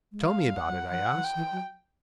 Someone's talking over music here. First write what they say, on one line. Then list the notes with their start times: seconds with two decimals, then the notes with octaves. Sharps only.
"Tell me about it," I asked.
0.12 G#3
0.22 G3 F5
0.46 G3
0.56 F#5
0.68 F#3
0.90 F3 F#5
1.12 E3
1.24 G5
1.35 E3
1.52 F#3